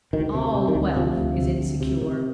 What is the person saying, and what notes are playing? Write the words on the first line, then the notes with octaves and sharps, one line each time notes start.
All wealth is insecure.
D2 D#3
C3
C3
D#3
D2
C3 F3
D2
C3
D2
C3
C3